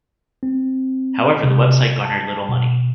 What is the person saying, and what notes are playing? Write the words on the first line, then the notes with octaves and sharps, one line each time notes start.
However, the website garnered little money.
C4
C3
A5
B2